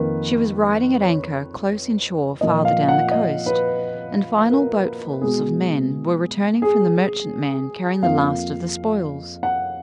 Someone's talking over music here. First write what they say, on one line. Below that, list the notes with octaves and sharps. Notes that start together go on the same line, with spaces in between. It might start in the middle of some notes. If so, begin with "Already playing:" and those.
She was riding at anchor close inshore farther down the coast, and final boatfuls of men were returning from the merchantman carrying the last of the spoils.
Already playing: F2 D#3 A#3 B4
C#5
A#2 F3 A#3 D#5
F5
F#5
D#5
B4
A#4
B2 G#3 B3 G#4
G#4
F2 F3 A#3 F5
F#5